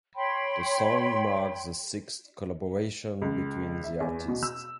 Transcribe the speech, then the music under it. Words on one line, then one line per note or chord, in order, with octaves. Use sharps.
The song marks the sixth collaboration between the artists.
C#5 G5 B5 C6
C#2
E5
E2
B2
E6